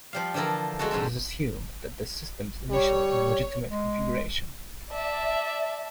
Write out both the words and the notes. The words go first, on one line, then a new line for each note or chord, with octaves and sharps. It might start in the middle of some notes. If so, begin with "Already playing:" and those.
It is assumed that the system is initially in a legitimate configuration.
F3 G3 F5
D3 E3 F3 A4 A#4
G#3 A3 F#4 A4
E2 G#2 G3 C4 A4
G3 C#5
G#3
D5 E5 A5